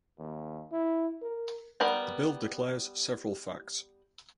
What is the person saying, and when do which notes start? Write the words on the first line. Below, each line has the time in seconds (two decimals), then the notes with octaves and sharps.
The bill declares several facts.
0.19 D#2
0.72 E4
1.22 A#4
1.80 G3 B3 A#4 B5